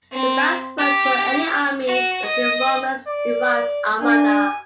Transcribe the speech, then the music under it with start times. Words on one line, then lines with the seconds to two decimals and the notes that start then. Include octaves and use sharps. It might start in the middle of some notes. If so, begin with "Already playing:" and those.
The Basque word for an army is the Romance-derived "armada".
0.12 C4
0.78 G4
1.87 F#4
2.25 D#5
3.08 D5
4.02 D4 G#5